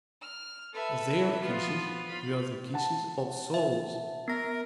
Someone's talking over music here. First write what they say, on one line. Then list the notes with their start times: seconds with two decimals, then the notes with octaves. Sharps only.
Their kisses were the kisses of souls.
0.20 F6
0.73 A4 B4 E5
1.40 F3 B3 F4 B4
2.08 F4 B5
2.74 F#5 A5
3.54 E5
4.28 B3 A#4 A#6